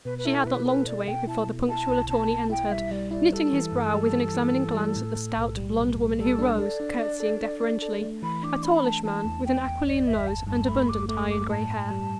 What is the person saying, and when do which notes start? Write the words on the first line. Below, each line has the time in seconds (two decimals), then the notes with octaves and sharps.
She had not long to wait before the punctual attorney entered, knitting his brow with an examining glance at the stout blond woman who rose, curtsying deferentially,--a tallish man, with an aquiline nose and abundant iron-gray hair.
0.05 B2 B4
0.18 B4
0.25 E4 A4
0.45 B2 B4
0.66 A4 B4
0.86 B2 D5
1.07 B2 G5
1.27 E4 A5
1.47 B2
1.68 E4 A5
1.89 B1
2.09 B2 A5
2.29 B2
2.49 E4 G5
2.71 G3 E5
2.91 G3 D5
3.11 E4 D5
3.32 G3 A4
3.53 E3
3.72 G2
3.93 G3
4.14 E3
4.34 E3
4.54 E3
4.75 G3
4.96 A2
5.16 A2
5.37 B1
5.57 G3
5.78 B1
5.98 B1
6.17 G3 A4
6.39 D4
6.58 A4 D5
6.80 D4
6.99 D4
7.20 A4
7.41 D4
7.61 D4
7.82 A4
8.01 A3
8.22 E3 B5
8.43 D4 D6
8.63 D4 B5
8.83 A3 A5
9.04 E3 A5
9.25 E2
9.45 E2 G5
9.66 E2
9.86 G1 D5
10.07 G1 E5
10.26 G1 A5
10.47 G2 A5
10.67 A3 B5
10.88 G1 D6
11.08 A3 D6
11.28 G2 D6
11.49 A2 A5
11.70 A2
11.90 G3